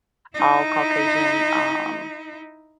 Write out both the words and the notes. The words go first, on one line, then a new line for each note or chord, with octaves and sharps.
all Caucasian, um,
D#4 E4